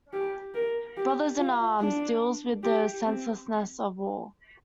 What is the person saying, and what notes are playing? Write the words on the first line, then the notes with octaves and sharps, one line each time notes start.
"Brothers in Arms" deals with the senselessness of war.
G4
A#4
G4
F4
D4
G4
C4